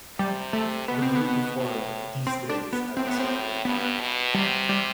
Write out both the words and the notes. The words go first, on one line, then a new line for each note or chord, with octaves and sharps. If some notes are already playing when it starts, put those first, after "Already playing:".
The group performed "These Days" at the ceremony.
C3 G3
A3
B2 B3
C4
B3
A2
C4
D4
B3
A2 C4
B3
C4
G2 B3
B2
C3 G3
G3